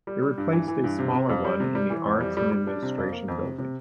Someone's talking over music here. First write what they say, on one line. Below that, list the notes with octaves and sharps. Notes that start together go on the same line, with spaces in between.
It replaced a smaller one in the Arts and Administration building.
G3
G3
G2
E3
E3
G2
C3
C3
F2
G3
C3
G3
E3
F2
G3
G3
G3
D4
C3
F2
A#3
F2
C3
C3